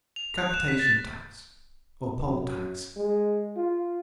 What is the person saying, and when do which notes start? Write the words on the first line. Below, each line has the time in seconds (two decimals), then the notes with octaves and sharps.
A capitation tax, or poll-tax.
0.16 F7
0.38 F#6
0.54 E7
0.68 B6
0.79 A6
2.28 F#2
2.97 G#3
3.57 F4